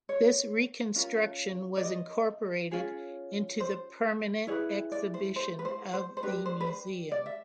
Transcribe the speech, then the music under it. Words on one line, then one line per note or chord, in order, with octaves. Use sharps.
This reconstruction was incorporated into the permanent exhibition of the museum.
C#5
C#4 F4 A#4
D5
D#5
C#4 F4 G#4
C5
E4 G#4 B4 C#5
D5
C5
C5
B4
C5
C5
C5
D4 G4 A#4 B4
C5
B4
C5
D5
E5